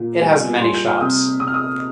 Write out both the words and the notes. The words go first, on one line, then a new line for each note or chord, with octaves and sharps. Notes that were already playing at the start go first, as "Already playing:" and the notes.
It has many shops.
Already playing: A#2
G3 G#5
G3 C6
G6
F6
C3 D#6
C3 D#6
F6
D#6